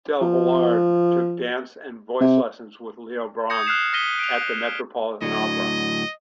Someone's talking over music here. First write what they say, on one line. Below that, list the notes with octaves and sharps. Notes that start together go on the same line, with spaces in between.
Del Villard took dance and voice lessons with Leo Braun at the Metropolitan Opera.
F3
C3
D#6 G6 G#6 A#6 C#7
F6 F#6 C7 E7
D#6 F6 A#6 B6 D#7 G7
D7 F7
A2 D3 F#3 D#5